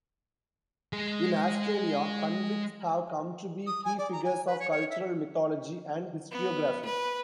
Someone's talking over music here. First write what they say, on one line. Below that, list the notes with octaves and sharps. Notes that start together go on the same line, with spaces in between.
In Australia, convicts have come to be key figures of cultural mythology and historiography.
G#3 G#4
D#6
G#5
D5
A#5
G#5
B4
C#5
C#5
E5
B3
B4